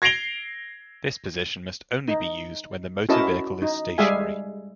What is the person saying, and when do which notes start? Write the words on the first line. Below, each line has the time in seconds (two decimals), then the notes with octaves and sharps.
This position must only be used when the motor vehicle is stationary.
0.02 G#6 A#6 C7 D7 F7 G7
2.08 D#4
3.09 C#4 E4 F#4 A#4 D#5 A5
3.62 D#4
3.98 G3 G#3 G#4 E5 F5 G#5